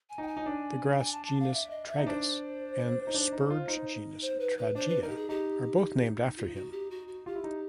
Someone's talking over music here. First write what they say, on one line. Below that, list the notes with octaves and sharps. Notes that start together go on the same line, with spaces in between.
The grass genus "Tragus" and spurge genus "Tragia" are both named after him.
G#5
D#4 G5
G#5
D#4
D4
G#5
A5
A5
F5
E5
D#5
E5
D#4
D4 C5
D#4
D4
D#4
F4
D#4
C5
B4
B4
D4 C5
B4
D#4 A#4
G4
G#4
D#4 G4
F4
F#4
G4
F#4
F#4
F4 G4
E4
D#4